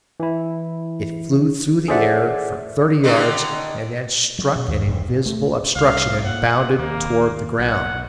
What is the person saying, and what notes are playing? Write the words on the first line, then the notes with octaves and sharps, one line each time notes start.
It flew through the air for thirty yards and then struck an invisible obstruction and bounded toward the ground.
E3 E4
G#4 A4 C5 D5 E5 F#5
D3 D#3 D#4
F#3
B2
D#2
E1
A#2
A3
C2 F5
A#2 F#5
D#2 A#3
B1 F#5